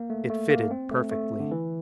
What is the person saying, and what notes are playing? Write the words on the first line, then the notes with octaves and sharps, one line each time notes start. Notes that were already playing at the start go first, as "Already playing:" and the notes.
It fitted perfectly.
Already playing: A#3
A3
A3
A#3
C4
A3
A3
D3
E3